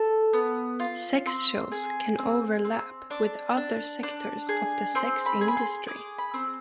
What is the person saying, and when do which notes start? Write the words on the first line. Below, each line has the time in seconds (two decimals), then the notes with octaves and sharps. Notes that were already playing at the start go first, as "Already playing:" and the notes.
Sex shows can overlap with other sectors of the sex industry.
Already playing: A4
0.33 B3
0.80 F4
1.26 C4 C6
1.72 G#4
2.18 C4
2.64 C4
3.10 D4 D6
3.57 D4
4.03 D4
4.49 G#4
4.95 C4 C6
5.26 B5
5.41 G#4
5.48 B5
5.57 C6
5.87 G#4 D6
6.18 B5
6.34 C4